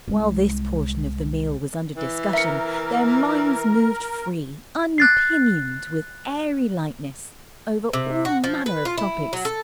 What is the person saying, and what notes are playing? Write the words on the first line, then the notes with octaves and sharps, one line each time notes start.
While this portion of the meal was under discussion their minds moved free, unpinioned, with airy lightness, over all manner of topics.
C2 G#3
E3
A#4 E5 C#7
F#6 A6 C7
C3
F#4
F3
B4
F4
E4
F#3
A4